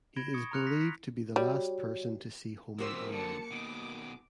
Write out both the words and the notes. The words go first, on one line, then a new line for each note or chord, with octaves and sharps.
He is believed to be the last person to see Homan alive.
B5 G#6 A#6 D7 E7 G7
C#6 D#6 G#6 C#7
A#5 C6 F6 F#6 C#7 F7
A#5 A#6 B6
B6
G3 F#4 C#5
C3 F3 A#3 F#4 C5 E6 B6
D3 F#3 A5 C#7
B2 D#3 D6